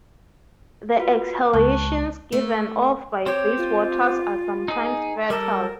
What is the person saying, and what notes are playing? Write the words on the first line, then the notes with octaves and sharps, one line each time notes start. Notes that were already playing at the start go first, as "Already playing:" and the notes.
The exhalations given off by these waters are sometimes fatal.
F4 F#4 B4
C#2 A5 C#6 F#6
A3
C4 G4 C#5
F4
D#4 G#4
G3 A4 A#4